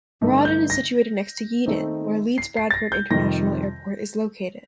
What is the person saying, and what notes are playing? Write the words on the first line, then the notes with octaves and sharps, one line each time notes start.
Rawdon is situated next to Yeadon, where Leeds Bradford International Airport is located.
G2 D3 A3 D#4
G6
A#6
D#3 A3 C4 D#4
C7
C7
A6
A#6
G6
F2 C3 D#3 G3 A#6